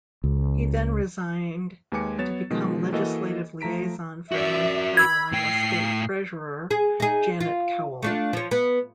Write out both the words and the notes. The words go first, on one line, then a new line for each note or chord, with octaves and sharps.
He then resigned to become legislative liaison for North Carolina State Treasurer Janet Cowell.
C#2
D#2 G#3 B4 G#5 D6 C#7
F#3 B3 C#5 A6 E7
B2 D#3 F3 G#3
E3 A#3 F#4 A4 D#5
F3 A3 A#5 B6 D7
F#4 A#4 D5 E5
B5 E6 G#6
A2 G5 C7
G#4
D#4 G#4
F4
A3 D4 F4
F3 C#5
B3